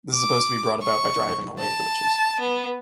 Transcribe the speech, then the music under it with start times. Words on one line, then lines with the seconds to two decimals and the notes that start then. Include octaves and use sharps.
This is supposed to be brought about by driving away the witches.
0.14 D6
0.81 C#6
1.59 A5
2.40 B3